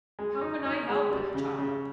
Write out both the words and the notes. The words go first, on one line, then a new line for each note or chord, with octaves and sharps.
How can I help it, child?
G#3
D#4
D#4
G#3
G3
C#3
C#3